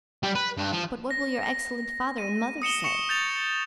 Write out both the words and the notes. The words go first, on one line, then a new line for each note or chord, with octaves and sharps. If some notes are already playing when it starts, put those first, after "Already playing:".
But what will your excellent father and mother say?
G3
B4
G2
F3
A#6
D#7
D#6 C#7 E7 G7
C#6 C#7 E7
G6 A6 F7